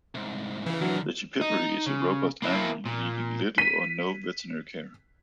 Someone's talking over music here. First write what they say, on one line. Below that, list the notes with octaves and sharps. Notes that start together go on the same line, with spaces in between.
The Chippiparai is a robust animal needing little or no veterinary care.
C2 G#2
C#3 E3
D3 F#3 D4 F#4 A#4
D#4
C#3
A#3 E4
A#2
B6 D#7